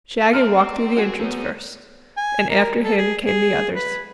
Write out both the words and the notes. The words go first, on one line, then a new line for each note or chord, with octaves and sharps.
Shaggy walked through the entrance first, and after him came the others.
C4 D#5 A#5 C6 F6
F#4 G#4
F3 B3 D#4 C#5 E6 G6
G#5
A#4
A4
G#4
G#4
B4